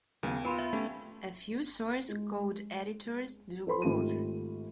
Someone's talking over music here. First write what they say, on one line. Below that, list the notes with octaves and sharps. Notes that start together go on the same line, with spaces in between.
A few source code editors do both.
D#2 C#3 F#3 B3
F4 B4 B5 C6
E5
A3 C#4 G4
G#3
A4 C5 B5 C6
G#1 A3 F4 G4 D#7